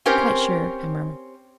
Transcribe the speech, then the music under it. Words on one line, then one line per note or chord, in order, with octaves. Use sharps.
"Quite sure," I murmured.
C4 C#4 G4 A#4 C5